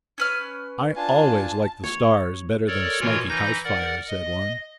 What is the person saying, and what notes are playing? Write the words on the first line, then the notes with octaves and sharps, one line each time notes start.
"I always liked the stars better than a smoky house fire," said one.
C#4 B4 F6
D4 F4 G#5 A5
C#5
A4 A#4 C#5 D5
B2 E3 F4 A#4 C#5
E3 D#4 B4 G6 A#6
A#4 D5 F#5
D#5